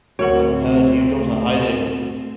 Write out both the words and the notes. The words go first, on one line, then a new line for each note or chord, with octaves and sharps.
I heard you got a hiding.
D2 A3 C4 F#4 A#4 C#5 F#5 F#7